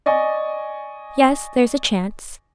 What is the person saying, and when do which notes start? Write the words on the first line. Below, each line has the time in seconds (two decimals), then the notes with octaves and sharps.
"Yes, there's a chance."
0.06 D5 D#5 G#5 C#6